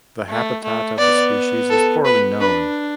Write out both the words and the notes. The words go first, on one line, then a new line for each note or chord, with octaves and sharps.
The habitat of the species is poorly known.
A3
A3
B3 D5
A4
B3 B4
D4 B4